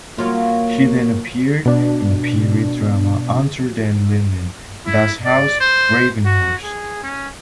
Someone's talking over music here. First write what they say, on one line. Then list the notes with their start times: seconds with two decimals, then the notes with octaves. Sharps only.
She then appeared in the period drama "Unter den Linden - Das Haus Gravenhorst".
0.18 F#3 A#3 F4
1.65 B2 D4
4.86 E4
5.25 D5
5.60 C5
6.25 F#4
6.63 G#4
7.03 C#4